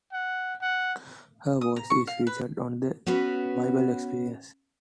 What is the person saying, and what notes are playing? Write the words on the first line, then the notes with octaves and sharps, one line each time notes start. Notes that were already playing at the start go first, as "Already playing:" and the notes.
Her voice is featured on "The Bible Experience".
F#5
F#5
D#6
A#5
C#6
F5
B4
B3 C#4 F#4 B4